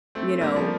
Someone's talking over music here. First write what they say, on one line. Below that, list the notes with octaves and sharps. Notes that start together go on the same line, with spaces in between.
you know,
A3 C4
G3 A#3
F3